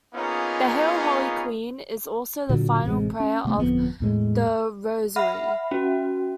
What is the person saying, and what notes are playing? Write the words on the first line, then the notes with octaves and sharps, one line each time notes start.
The "Hail Holy Queen" is also the final prayer of the Rosary.
A#3 B3 C#4 D#4 F4 G#4
A#2 D3 F#3
A1 C3 G3 G#3
C#4
C3 A3 C4
G1 F2 C#3 B3
E2 A2 G#3
E5 F#5 B5 F6
C#4 F#4